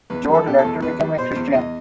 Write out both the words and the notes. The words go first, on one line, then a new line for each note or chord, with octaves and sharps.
Joad later became a Christian.
E2 B4
G3
A4
B2 G4
A4
E2
E2 B4
G3
B2 C5
E2
E2 D#5